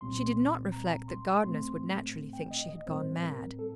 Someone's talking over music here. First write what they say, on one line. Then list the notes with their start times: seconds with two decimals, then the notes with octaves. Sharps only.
She did not reflect that gardeners would naturally think she had gone mad.
0.01 C2 A#2 G3 C4 C6
0.72 A#5
1.08 C6
1.44 A2 A3 C4 C6
2.33 G5
2.51 D#5
2.69 D#5
2.86 A2 G3 C4 C5
3.23 A#4
3.59 A4